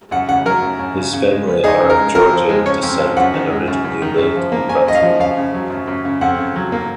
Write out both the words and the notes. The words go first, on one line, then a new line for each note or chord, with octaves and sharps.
His family are of Georgian descent and originally lived in Batumi.
F#2 F#5
C#3 F#5
F#3 A#4
F#2
F#2
C#3
C#3
G#3
B3
D#4 G#4
C#3
A#4
G#3
F2 A#4
F3
G#3
C#4 C#5
F2
F3
F#2 F#5
D#3
G#3
F#2
F#2
D#3
F#2
F3
A#3
C#4 G#5
F#2 D#5
F5
F3
F#2 F5
C#3
F#3
F#2
F#2
C#3
F2 F#5
C#3
F#3
A#3